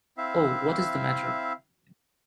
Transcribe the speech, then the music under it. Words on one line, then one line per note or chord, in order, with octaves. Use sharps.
Oh, what is the matter?
C4 E4 E5 F5